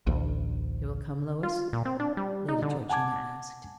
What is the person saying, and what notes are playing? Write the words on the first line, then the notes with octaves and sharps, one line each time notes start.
'You will come, Lois?' Lady Georgina asked.
A1 D2
F4
A#2
C4
D4
G3
D#4
D3
F#5 G#5 A5 D6 G#6